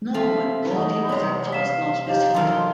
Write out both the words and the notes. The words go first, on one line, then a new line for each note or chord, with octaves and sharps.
Norman, "bodhi" was at first not specified.
F3 A4 E5
E3 D#4 F#5
C3 E3 B3 C#5
F5 B6 E7
D#4 G4 F5
E2 D#3 F3 F#3 E4 A4 C6